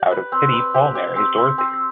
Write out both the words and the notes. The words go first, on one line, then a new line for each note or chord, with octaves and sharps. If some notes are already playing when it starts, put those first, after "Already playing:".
Out of pity, Paul marries Dorothy.
Already playing: G4 D5
B4
C4
B4
G4
G4
C4
C4
C4